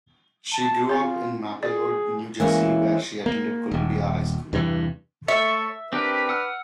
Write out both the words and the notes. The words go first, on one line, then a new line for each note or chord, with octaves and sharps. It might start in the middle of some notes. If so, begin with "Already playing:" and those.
She grew up in Maplewood, New Jersey, where she attended Columbia High School.
A5
C4 F4 C#5
G#4 D5
E3 G#3 A#3 C#4
A#3
D#1
E2 G2 C3 E3
A3 A4 C#5 E5
C4 D4 G4 A#4 B4
F#5 E6 F6